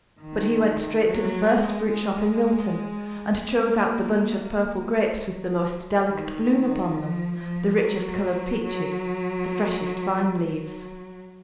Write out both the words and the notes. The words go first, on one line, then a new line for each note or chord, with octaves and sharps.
But he went straight to the first fruit-shop in Milton, and chose out the bunch of purple grapes with the most delicate bloom upon them,--the richest-coloured peaches,--the freshest vine-leaves.
D#3
F#3
G#3
G#3
A#3
A#3
G#3
F#3
D#3
F3
F3
F#3
F#3
F#3